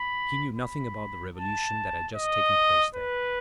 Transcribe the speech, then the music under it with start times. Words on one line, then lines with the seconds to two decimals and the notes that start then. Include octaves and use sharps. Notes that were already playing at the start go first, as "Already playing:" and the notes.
He knew nothing about the revolution that had just taken place there.
Already playing: B5
0.56 B5
1.36 A5
2.15 D#5
2.95 B4